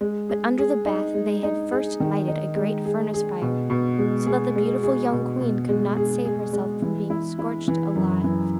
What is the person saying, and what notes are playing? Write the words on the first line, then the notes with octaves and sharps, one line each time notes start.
But under the bath they had first lighted a great furnace-fire, so that the beautiful young queen could not save herself from being scorched alive.
G#3
G#4
G#4
D#4
G#3
D#4
G#4
D#3
D#4
G#3
G#4
G#4
B2
B2
G#3
G#4
G#3
G#4
B2
B2
G#3
G#4
G#4
G#3
E3
E4
E4
E3
F#2
E3